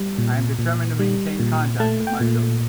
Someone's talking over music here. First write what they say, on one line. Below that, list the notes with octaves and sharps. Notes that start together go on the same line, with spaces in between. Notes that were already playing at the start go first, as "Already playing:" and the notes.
I am determined to maintain contact with my children.
Already playing: G3
A#2
A#2
G3
A#2
A3 A5
G5
A#2